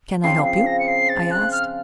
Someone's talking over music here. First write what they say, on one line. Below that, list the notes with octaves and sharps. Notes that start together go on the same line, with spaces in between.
"Can I help you?" I asked.
C#3 F3 C4 C7
C7
A#6
C#7
C7
A6
F#6
F6